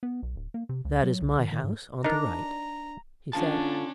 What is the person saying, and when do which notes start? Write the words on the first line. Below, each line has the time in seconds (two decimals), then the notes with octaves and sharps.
"That is my house, on the right," he said.
0.03 B3
0.23 B1
0.36 D1
0.54 A#3
0.69 C3
0.85 C#2
1.03 F#3
1.22 C2
1.39 D#3
1.52 D#3
1.64 G#2
2.04 D4 D#4 A#4 A#5
3.33 D3 C#4 D4 F4 A5